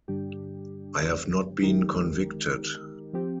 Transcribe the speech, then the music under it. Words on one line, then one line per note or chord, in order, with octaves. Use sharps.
I have not been convicted.
G2 D3 G3 D4 G4
D#3 G#3 D#4 G4 A#4
F3 C4 G4